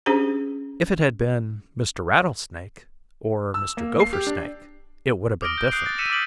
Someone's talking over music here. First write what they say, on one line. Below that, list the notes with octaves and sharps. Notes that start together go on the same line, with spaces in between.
If it had been Mr. Rattlesnake or Mr. Gophersnake, it would have been different.
C#4 D4 G4 G#4 C5 A#5
E6
A#3
C7
G4
D4
D6 D#6 F6 A#6 D7 G7
G6
D#6 F#6 G6 C7 D7
F#6 A6
E6 B6 C#7 D#7 E7
D6 F6 A6 B6 D7 F#7